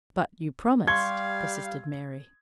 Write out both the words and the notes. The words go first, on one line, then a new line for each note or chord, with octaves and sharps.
"But you promised," persisted Mary.
G3 F5 C6 C#6 G#6 C#7